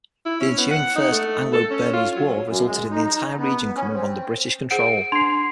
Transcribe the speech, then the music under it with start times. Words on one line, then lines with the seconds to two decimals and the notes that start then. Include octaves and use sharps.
The ensuing First Anglo-Burmese War resulted in the entire region coming under British control.
0.25 E4
0.41 C#4
0.58 B3
0.71 F#5
0.96 D#4
1.12 A3
1.53 A4
1.71 C#4
1.93 F4
2.16 F#3
2.48 F#2
2.66 G#3
2.90 D#4
3.38 B3
3.76 C#4
3.93 C4
4.71 G#4 C5 F#5 D7
5.12 D4 C6 C7